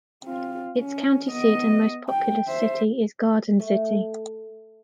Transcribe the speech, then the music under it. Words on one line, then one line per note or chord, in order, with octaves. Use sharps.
Its county seat and most populous city is Garden City.
C4 F4
C#4
B3 D#5
G5
C5 E5
A3